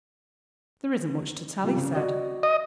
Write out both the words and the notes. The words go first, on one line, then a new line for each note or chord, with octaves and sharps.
"There isn't much to tell," he said.
C3 F3 G3
C#3
F#4 D5 D#5
D#5